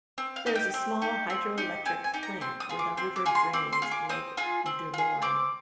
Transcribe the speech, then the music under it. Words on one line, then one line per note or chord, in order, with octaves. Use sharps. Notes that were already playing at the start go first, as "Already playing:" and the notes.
There is a small hydroelectric plant where the river drains Lake Duborne.
C4
F5
D#4 G4
G5
C4
D#4 G4
C4
D#4 G4
C4 G#5
G#5
D#4 G4
A#5
C4 C6
D#6
F4 G#4
D6
C4 C6
D6
F4 G#4
C6
C4 D6
C6
F4 G#4
D6
C4 D#6
F4 G#4
C4
F4 G#4
C4 D6